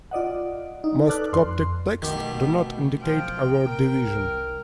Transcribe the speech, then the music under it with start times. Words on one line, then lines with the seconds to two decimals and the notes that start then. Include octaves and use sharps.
Most Coptic texts do not indicate a word division.
0.11 F4 D5 D#5 F#5
0.84 D#4
1.07 A4 B4 D5 D6 F6 F#6
1.33 F2 C6
2.02 B1 B2 D#3 A3 G4
3.02 F3 G5
3.67 C3 A#4
4.04 C2